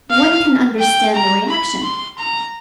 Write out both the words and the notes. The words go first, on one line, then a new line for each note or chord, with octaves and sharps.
One can understand the reaction.
F5
G5
A#5
B5
C6
A#5